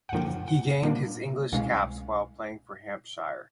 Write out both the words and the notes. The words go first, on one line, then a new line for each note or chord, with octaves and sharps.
He gained his England caps while playing for Hampshire.
F#5
F#2 D3 F3 A#3 D4 G5
F#5
A#2 G3 A#3 D4
C2 B2 G#3 C#4 F5